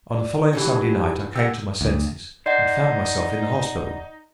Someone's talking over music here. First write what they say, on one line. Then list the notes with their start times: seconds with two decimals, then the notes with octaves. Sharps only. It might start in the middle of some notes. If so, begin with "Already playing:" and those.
On the following Sunday night I came to my senses, and found myself in the hospital.
0.10 D5
0.53 E3 F#3 C#4 D#4 G4
1.35 G4 G#4 F#5 E6
1.81 D2
2.46 D#4 C5 D5 D#5 F#5